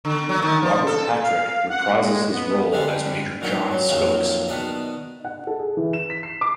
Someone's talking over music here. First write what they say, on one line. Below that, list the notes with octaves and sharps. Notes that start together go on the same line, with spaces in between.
Robert Patrick reprises his role as Major John Skokes.
D3
F#3
D#3
F3
A4
F5
F#5
G#3
B3
D3 G3 G#3 C4 D4
A#2 D#3 F#3 F#5
F#3
A#1 F2 D#3 F3 F#3
B2 D#3 D4 D#5
F#5
A4
G#4
E3
E7
B6
C7
D6